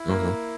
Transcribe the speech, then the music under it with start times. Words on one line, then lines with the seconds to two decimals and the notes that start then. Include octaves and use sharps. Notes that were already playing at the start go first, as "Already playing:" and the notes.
Uh huh.
Already playing: E4
0.10 A#3